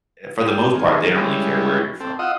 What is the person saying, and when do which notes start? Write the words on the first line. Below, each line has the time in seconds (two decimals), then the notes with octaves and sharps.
for the most part, they don't really care where you're from.
0.46 G4 D5
0.75 D#3 G#4
1.15 G3 G#3 C#4 E4
2.00 C4 A4
2.19 F4 D#5 F#5 D#6 E6